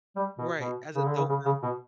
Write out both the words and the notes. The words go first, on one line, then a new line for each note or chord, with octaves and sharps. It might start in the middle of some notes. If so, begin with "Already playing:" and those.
Right, as a adult now
G3
B2
B2
C#3
D3
C#3
C#3
C#3
B2